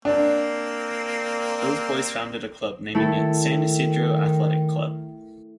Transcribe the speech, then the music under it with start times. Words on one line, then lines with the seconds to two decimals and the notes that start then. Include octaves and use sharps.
Those boys founded a club naming it "San Isidro Athletic Club".
0.05 A#3 C4 D4
2.95 D#3 A3 E4 A4